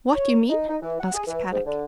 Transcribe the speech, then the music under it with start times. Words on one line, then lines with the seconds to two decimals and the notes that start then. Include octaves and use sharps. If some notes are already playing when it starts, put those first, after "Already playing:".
"What you mean?" asked Kadok.
0.14 C#5
0.50 D#4
0.68 D#4
0.81 E3
0.99 F#5
1.14 G#4
1.26 E3
1.51 G#2
1.65 D3